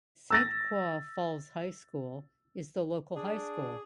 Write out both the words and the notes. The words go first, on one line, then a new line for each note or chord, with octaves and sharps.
Saint Croix Falls High School is the local high school.
E6 A6 A#6
D4 G#4